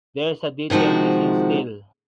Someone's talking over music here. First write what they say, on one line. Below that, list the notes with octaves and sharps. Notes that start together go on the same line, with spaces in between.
There is a detail missing still.
C3 D#3 F3 G#3 F#4